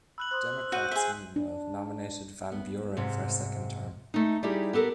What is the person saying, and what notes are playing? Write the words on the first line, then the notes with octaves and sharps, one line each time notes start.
Democrats, meanwhile, nominated Van Buren for a second term.
B5 E6 F#6 F#7
C5 C6 D#6 F#6
F#4 F#6 G6 D#7
G#4 E5 D#7
D4
B3
G#2 C3
A3 D#4
G3 D#4 E4 G4 G#4
B3 G4 A4 A#4